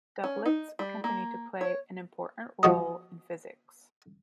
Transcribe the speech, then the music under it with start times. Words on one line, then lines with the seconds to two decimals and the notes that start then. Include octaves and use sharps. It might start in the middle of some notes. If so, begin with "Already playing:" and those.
Doublets continue to play an important role in physics.
0.24 C#4
0.46 D#4
0.79 G3
1.04 A#3
1.61 C#5
2.63 F3 F#4 D#5